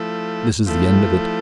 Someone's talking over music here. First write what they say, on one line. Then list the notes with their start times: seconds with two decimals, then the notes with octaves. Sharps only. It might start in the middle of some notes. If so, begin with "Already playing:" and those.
This is the end of it.
Already playing: F3 A3 E4 A4
0.66 F3 A3 E4 A4